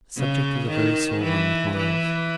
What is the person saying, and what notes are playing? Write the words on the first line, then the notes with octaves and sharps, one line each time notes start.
The subject was a very sore one with Myles.
C#3
D#3
E3
E3